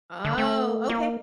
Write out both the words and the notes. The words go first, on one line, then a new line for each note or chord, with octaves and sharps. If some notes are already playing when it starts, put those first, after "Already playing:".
Oh, okay.
D3
A3
A#3